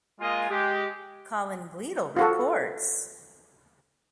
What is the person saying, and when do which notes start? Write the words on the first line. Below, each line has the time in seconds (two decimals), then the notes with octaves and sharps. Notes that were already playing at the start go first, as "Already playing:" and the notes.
Colin Gleadell reports.
0.20 G#3 A#3 F4 D#5 G#5
0.49 G#3 G4
2.16 F4 F#4 A4